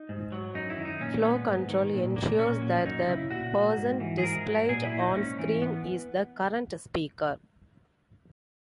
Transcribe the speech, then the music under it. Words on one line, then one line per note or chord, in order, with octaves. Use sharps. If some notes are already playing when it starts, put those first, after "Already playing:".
Flow control ensures that the person displayed on screen is the current speaker.
Already playing: D#4
G#2
F#3
F#2 D#4
E4
D#3
D#4
A#2 C#4
G#3 B3
G#2
D#3
A#2
A#3
A#2 C#4
F#3
F#2 D#4
C#3 E4
A#2 F#4
A#3
G#2
E3
G#4
G#2 A#4
F#3
A#2 G#4
E4
A#3
D#4
G#2 C#4
E3
B3